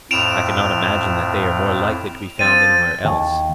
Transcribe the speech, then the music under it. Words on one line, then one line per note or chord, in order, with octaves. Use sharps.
I cannot imagine that they are more likely to be found any where else.
F2 A2 D7 E7 F7
F3 C4 A6 D#7
D#2